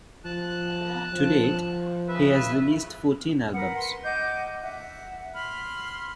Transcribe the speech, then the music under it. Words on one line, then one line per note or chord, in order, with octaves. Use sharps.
To date, he has released fourteen albums.
F3 A5 F#6
F3
C#3 B4 E5
A#4 B4 F#5
B4 C6
D#5 F#5 D6 G6
E5 F#5
B5 C6 F6